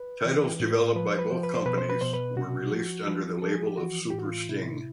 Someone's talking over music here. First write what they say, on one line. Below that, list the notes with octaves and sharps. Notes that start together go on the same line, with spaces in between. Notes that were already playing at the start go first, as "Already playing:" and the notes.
Titles developed by both companies were released under the label of Super Sting.
Already playing: B4
E3
A2
F3 B4
C5
B4
F3 C5
B4
C5
B2 B4
C5
B4
B2 C5
B4
C3 F#4
F3
F3
F3 A4
G#4
G4
E3 F#4
G4
A2
F#4
F4
C3 E4